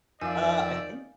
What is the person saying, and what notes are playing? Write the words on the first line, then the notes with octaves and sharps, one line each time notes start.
Uh, I think
F2 D#3 D5 E5 F5 G#5